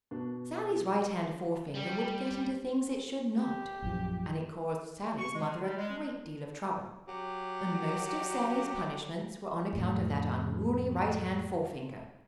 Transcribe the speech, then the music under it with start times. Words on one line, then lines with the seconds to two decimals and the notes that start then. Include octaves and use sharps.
Sallie's right-hand forefinger would get into things it should not, and it caused Sallie's mother a great deal of trouble, and most of Sallie's punishments were on account of that unruly right-hand-forefinger.
0.11 B2 D4
1.75 G3
3.37 G4
3.82 A#1 F#2 F3
5.18 C#6
5.35 G#3
5.63 G3
5.77 G#3
7.08 F#3 G4
9.73 F2 A2